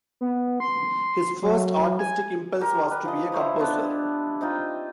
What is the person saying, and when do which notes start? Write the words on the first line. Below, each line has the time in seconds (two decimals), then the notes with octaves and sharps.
His first artistic impulse was to be a composer.
0.21 B3
0.60 C6
1.42 F#3
1.99 G#5
2.61 G4 A#4
2.91 B4
3.05 F3 D#5
3.32 E4 C5 C#5 A#5
3.60 B3 D4
4.41 C4 D#4 F4